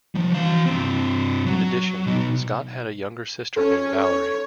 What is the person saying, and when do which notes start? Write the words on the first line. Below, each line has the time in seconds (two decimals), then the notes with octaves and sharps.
In addition, Scott had a younger sister named Valerie.
0.15 F3 G3
0.33 E3 F5
0.66 G2 C4
1.46 F#3
2.06 B2 D#4
3.56 C#4 A4 C#5
4.00 C#5